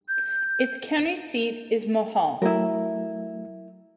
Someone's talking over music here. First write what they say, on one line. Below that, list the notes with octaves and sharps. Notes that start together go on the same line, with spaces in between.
Its county seat is Mohall.
G6
F#3 A3 E4 A#4